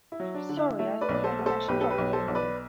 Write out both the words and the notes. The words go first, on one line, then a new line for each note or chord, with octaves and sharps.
Sorry, I think my connection dropped for a moment.
E4
F#3
D4
D3
E4
A3 E4
B4 D5
B1
D5
A4 C5
A3
A4 C5
B1 G4 B4
A4
G4 B4
B1
A4 C5
B1
B4 D5